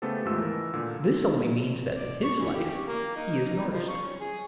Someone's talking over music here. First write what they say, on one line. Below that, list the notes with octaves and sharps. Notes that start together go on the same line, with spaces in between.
This only means that in his life he is an artist.
C#3 A3 B3 G4 A4 C5
D#2 G#2 G#3 A3 F4 E6
E3 A#4
A#2 D3
D5
C#6
E3
G4
A#3
D#4
D#4
F3
C#6
C#4
G#4